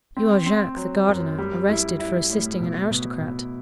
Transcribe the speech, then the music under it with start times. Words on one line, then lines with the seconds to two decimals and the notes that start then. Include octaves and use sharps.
'You are Jacques, the gardener, arrested for assisting an aristocrat.
0.17 C4
0.46 C4
0.77 F#3
1.08 F#2
1.39 G3
1.69 E4
1.99 E4
2.30 A2
2.60 B2
2.91 B2
3.21 B2